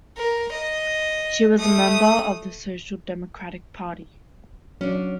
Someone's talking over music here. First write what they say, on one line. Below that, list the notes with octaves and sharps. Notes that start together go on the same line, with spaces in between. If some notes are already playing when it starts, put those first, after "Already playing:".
She was a member of the Social Democratic Party.
A#4
D#5
A3 D#6
F#3 C#4 D4